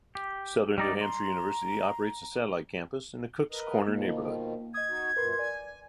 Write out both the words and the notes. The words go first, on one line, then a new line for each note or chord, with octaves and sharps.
Southern New Hampshire University operates a satellite campus in the Cook's Corner neighborhood.
G4
G3 D#4 D5
A#5 C6
A#4 B4 D#5
B2 D#3 F3 A#3
D#5 D#6 G#6
D#4 F#4
F#2 A#2 A#4 B4 C6
D5 G#5